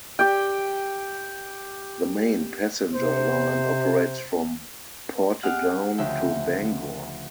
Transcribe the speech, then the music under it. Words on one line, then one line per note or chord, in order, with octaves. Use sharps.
The main passenger line operates from Portadown to Bangor.
G4 G5
C3 C5
G4 G#4 D#5 F#5 F6
D2 C#3 F3 E5 G5